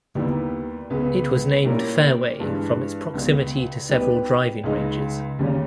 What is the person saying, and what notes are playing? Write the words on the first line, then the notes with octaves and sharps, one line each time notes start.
It was named Fairway from its proximity to several driving ranges.
D#2 D#3 G3 B3 E4
C#2 C#3 G#3 B3
A#2 G3 C#4 E4 A#4
G2 E3 G#3
C#2 B2 G3
G3 B3 D#4 G4 B4
C#2 C#3 G#3 D#4
D#2 C#3 G3 C#4